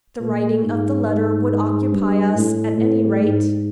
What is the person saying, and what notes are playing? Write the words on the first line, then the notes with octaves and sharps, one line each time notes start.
The writing of the letter would occupy us, at any rate.
A#2
G#2
G#2
G2
A2
A2
G#2